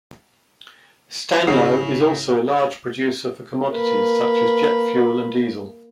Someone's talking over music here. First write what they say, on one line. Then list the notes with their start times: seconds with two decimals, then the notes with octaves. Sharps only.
Stanlow is also a large producer for commodities such as jet fuel and diesel.
1.47 G#1 C#3 E4 G#4 F#5 C7
3.70 A#3 B4